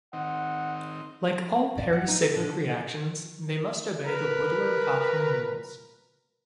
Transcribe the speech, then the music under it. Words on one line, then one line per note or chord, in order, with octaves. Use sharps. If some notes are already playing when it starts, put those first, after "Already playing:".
Like all pericyclic reactions, they must obey the Woodward-Hoffmann rules.
D#3 C4 D#4 F#5
D5
F#5
D#4
A4
D3
A#4 B4 B5